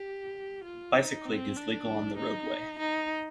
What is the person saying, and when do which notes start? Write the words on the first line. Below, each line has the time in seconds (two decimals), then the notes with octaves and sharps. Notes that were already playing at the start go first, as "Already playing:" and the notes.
Bicycling is legal on the roadway.
Already playing: G4
0.64 F4
0.94 D#4
1.25 C4
1.56 D4
2.17 D#4
2.78 D#4